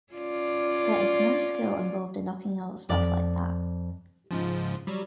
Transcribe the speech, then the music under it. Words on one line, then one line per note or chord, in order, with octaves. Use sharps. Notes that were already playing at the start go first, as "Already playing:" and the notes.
There is no skill involved in knocking out stuff like that!
C#4 F4 D5
F2 D5
G#2 C#3 F3
F#3 G3